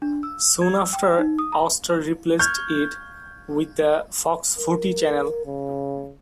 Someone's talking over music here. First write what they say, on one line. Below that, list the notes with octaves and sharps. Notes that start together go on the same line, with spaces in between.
Soon after Austar replaced it with the Fox Footy Channel.
D4
E6
G#6
E6
G5
D#4
D#6
A#5
C#6 F6 G6 G#6
A#4
C#3